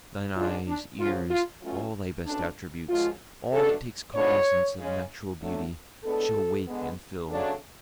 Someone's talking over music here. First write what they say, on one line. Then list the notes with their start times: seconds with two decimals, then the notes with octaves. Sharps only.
Thine eyes, ears--all thy best attributes--all that takes cognizance of natural beauty, Shall wake and fill.
0.36 G#2 G#3 D4 F4
0.68 D4
0.99 F#2 C#3 F3 F4
1.31 F4
1.63 B2 F#3 A3 C#4 F4
2.25 B2 A3 C#4 D4
2.88 F#2 F3 G#3 F4
3.52 B2 A3 D4 A4
4.14 G#2 F3 B3 D4 C#5
4.79 C#3 G#3 C#4
5.41 D3 F#3 A3 D4
6.04 A2 G#3 B3 D4 A4
6.67 D3 G#3 B3
7.30 C#3 F#3 A3 D4